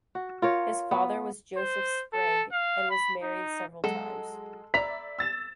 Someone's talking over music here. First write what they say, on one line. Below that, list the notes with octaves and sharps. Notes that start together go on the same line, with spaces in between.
His father was Joseph Sprigg and was married several times.
F#4
F4 A#4 C#5
B3
C5
A4
F5
B5
D#4
F#3 G#3 A4
D5 E5 A#5 B5 B6
E6 A6 E7